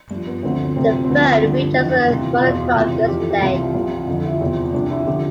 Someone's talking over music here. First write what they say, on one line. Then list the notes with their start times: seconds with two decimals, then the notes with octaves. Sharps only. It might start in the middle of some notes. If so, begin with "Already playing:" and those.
The phone features a monochrome display.
0.11 G2 F3
0.27 B3
0.43 D2 D3 F3 C4
0.76 D2 C3 F3 C4
1.04 C4
1.09 D2 D3 F3 B3
1.26 C4
1.43 G2 D3 F3 D4
1.76 F2 E3
2.09 D2 C3 E3 F4
2.42 E2 B2 F4
2.75 D2 C3 E3
2.99 F4
3.08 F2 G4
3.12 E3
3.19 A4
3.30 G4
3.41 C2 C3 E3 F4
3.75 C2 C3 F3
4.07 F2 D3 F3 F4
4.24 E4
4.40 E2 C3 F3 C4
4.74 C2 C3 F3 D4
4.91 E4
5.07 D3 F3 G4